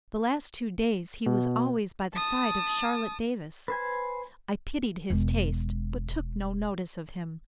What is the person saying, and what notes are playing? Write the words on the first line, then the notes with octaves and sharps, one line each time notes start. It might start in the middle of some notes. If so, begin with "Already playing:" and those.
The last two days he was always by the side of Charlotte Davis: I pitied his taste, but took no notice of him.
B2
A5 D#6
B4 C5 G#5
E1 G#3